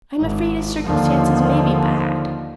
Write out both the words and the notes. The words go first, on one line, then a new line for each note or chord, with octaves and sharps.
I am afraid his circumstances may be bad.
G#1
D#2 D3 D#3 F3